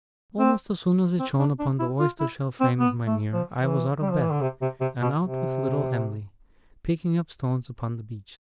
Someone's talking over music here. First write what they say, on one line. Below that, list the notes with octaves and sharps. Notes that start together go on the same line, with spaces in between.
Almost as soon as it shone upon the oyster-shell frame of my mirror I was out of bed, and out with little Em'ly, picking up stones upon the beach.
C4
C4
D4
D4
E4
F4
E4
C4
B3
A3
F3
E3
G3
F3
E3
D3
C3
C3
C3
B2
C3